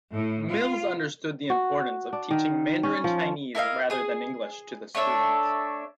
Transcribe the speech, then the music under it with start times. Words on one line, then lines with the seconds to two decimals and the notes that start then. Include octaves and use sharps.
Mills understood the importance of teaching Mandarin Chinese rather than English to the students.
0.14 A2
0.50 F4
1.50 F#4
2.13 D4
2.31 D#3
2.83 C#4
3.04 F3
3.55 E4 A#4 D#5 F5
3.90 G#4 D#6
4.95 A3 D4 C#5 E5